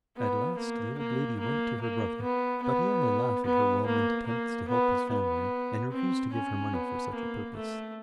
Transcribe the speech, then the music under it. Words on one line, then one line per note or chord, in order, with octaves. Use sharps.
At last, the old lady went to her brother, but he only laughed at her well-meant attempts to help his family, and refused to give her money for such a purpose.
B3
A#3
A#3
A#3
A#3
B3
B3
B3
A#3
A#3
B3
B3
C4
C#4
B3
A#3
A3